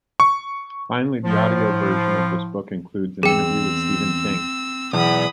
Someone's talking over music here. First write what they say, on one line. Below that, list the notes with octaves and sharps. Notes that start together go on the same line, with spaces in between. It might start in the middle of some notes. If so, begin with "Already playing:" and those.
Finally, the audio version of this book includes an interview with Stephen King.
C#6
A2 F3
E2 C4 G#4 G5 E6
B1 E2 B5 D#6